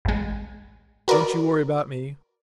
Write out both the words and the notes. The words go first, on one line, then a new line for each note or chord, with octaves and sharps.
Don't you worry about me.
A1 G#3
F#4 A#4 B4 D5